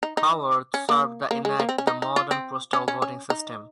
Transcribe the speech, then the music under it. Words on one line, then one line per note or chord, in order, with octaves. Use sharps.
Howarth served to enact the modern postal voting system.
D#4
D#4
C#4
A#3
A#3
G#3
A#3
C4
C#4
D#4
D#4
F4
C4
C#4
C#4
C#4
D#4